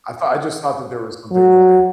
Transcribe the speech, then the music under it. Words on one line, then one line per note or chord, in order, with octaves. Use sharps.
I thought I just thought that there was something like
F#3